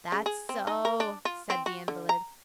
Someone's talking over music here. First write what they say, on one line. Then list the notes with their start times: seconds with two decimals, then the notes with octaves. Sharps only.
"That's so," said the invalid.
0.12 C#3
0.26 G#4
0.49 C4
0.67 D#4
0.85 A#4
1.00 D4
1.25 F4
1.50 C4
1.66 F#4
1.88 D3
2.09 A#5